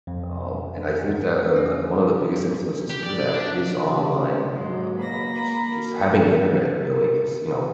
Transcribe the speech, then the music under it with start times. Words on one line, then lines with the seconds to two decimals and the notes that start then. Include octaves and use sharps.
Um, and I think that, uh, one of the biggest influences for that is online uh, just just having Internet, really, 'cause, you know
0.07 F2
1.56 C#4
2.90 G4
3.03 D5
3.34 D4
3.80 C3 F3
4.54 G#2 F#3 G#3
4.97 F#1 B2 A#3 B5 A#6
5.29 A#5
5.71 C4 F#4 A#4
6.96 A#4